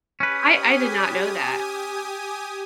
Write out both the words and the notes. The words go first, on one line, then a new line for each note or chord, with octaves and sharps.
I I did not know that.
C#4 G4 B4 G#5 D#6